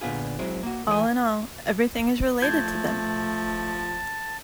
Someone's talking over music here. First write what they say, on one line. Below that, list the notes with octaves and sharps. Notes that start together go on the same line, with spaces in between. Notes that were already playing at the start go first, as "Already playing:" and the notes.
All in all, everything is related to them!
A#2 D3 B3 F4 G#4
F#3 G#3 C4 E4
A#3 F#4
E3 A3 C#5 G#5
F3 A3 A5 G6 G#6